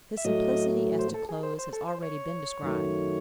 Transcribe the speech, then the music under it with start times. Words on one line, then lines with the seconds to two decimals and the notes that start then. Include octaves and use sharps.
His simplicity as to clothes has already been described.
0.17 E5
0.25 A2 F#3 A3 D#5
0.99 C5
1.14 A4
1.29 G#4
1.43 C5
1.59 C5
1.73 A4
1.88 C5
2.03 C#5
2.62 F#2 D#3 F#3 A3